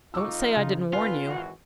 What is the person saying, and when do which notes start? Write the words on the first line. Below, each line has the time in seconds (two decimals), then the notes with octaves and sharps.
Don't say I didn't warn you.
0.14 F2 D#4 F4 C#6 D6 E6
0.56 C#3
0.93 D3 C4 F4 B4 G#5
1.27 G#1 E3 F#4